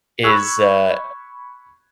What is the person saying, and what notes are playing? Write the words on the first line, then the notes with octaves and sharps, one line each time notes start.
is, uh
B5 C#6 E6 F#6 G#6